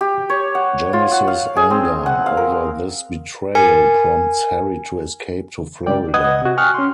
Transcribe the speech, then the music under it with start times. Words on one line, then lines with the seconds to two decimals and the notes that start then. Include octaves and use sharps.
Janice's anger over this betrayal prompts Harry to escape to Florida.
0.01 G4
0.29 C#5
0.55 F#5
0.93 F4
1.11 F#5
1.28 F5
1.56 G#4
1.70 C4
2.06 F#5
2.26 F5
2.37 A#4
3.55 A#4 G#5 C#7
5.86 C#2 G2 D5 G5
6.14 B4 D#5 F#5 D#6 G#6
6.42 C3 F#4
6.58 G5 G#5 C#6 D#6 F6 F#6
6.74 C#4 C6